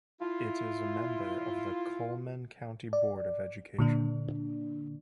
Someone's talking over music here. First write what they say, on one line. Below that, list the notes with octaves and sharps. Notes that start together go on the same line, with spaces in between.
It is a member of the Cullman County Board of Education.
E4 F4
D5
A#2 D3 D4